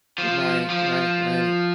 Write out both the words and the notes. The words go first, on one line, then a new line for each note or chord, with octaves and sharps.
Right, right, right.
F3
F3